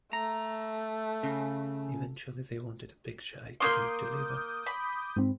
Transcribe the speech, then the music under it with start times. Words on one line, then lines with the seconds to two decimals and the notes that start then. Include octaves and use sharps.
Eventually, they wanted a picture I couldn't deliver.
0.13 A3 A#5
1.23 C#3
3.60 A#3 C#4 C6 D6 D#6 G6
4.66 B5
5.16 G#2 C4